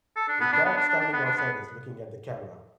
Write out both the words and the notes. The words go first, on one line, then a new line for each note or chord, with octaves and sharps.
A dog standing outside is looking at the camera.
A4
D4
B3
D4
B3
D4
D4
D4
B3
D4
B3